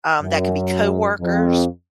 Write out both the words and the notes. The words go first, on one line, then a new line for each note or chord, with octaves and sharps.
um, that can be coworkers.
F#2
F2